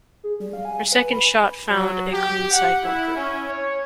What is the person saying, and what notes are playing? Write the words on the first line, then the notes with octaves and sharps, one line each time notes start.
Her second shot found a green-side bunker.
G#4
G3
F5
G#5
G#5
B4
B5
F#3
G4
F#5
E4
C#4
C#5